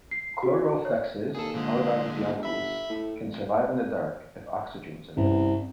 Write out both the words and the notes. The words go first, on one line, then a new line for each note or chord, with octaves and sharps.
"Chloroflexus aurantiacus" can survive in the dark if oxygen is available.
C7
F#4
C#5
D#2 G#4 A4
A#2 D3 F3 G#3
G1
E5 B5
A2
C2 G2 C#4